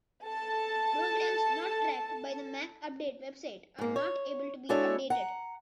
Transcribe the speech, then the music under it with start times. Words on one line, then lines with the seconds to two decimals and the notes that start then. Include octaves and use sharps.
Programs not tracked by the MacUpdate website are not able to be updated.
0.24 A4 A5
3.78 G#2 A#3
3.96 C#5
4.69 G#3 D4 E4 F#4 A4 C#5
5.10 F#5 A#5